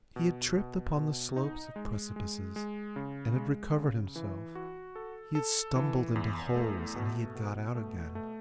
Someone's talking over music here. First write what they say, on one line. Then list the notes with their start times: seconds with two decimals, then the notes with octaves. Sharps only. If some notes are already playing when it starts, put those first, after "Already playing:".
He had tripped upon the slopes of precipices, and had recovered himself; he had stumbled into holes, and had got out again.
0.16 B2
0.56 B2
0.96 B2
1.36 D#4
1.76 G#3
2.16 G#3
2.56 G#3
2.96 C#3
3.36 G#3
3.76 C#3
4.16 E3
4.55 F#4
4.96 A4
5.35 A4
5.76 E3
6.16 E2
6.55 A3
6.95 B2
7.35 B2
7.75 A3
8.15 A3